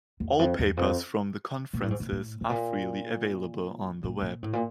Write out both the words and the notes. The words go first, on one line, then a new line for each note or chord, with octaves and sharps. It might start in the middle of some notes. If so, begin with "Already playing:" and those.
All papers from the conferences are freely available on the web.
E2
F2
E2
F2
A#2
A2
G#2
A2
A2
A2
A#2
A2
A#2
A2
A#2